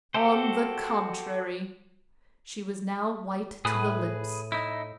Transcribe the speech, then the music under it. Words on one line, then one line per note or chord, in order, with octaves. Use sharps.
"On the contrary!" She was now white to the lips.
F#4 G4 A4 C5
A2 G#4 B4
D#4 E4